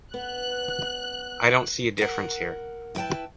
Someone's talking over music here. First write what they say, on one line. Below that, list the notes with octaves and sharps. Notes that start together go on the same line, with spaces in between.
I don't see the difference here.
B3 F#6
A#4 F#5
E4 B4 D5 G5 A5